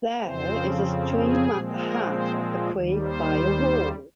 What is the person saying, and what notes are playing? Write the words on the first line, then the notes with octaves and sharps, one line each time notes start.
There is a stream at the head of the creek by a wall.
F2 C#3 F3 C4 C5
G#4
A#2 F3 G#3 C4
A#4
C5
D#2 D#3 G3
C5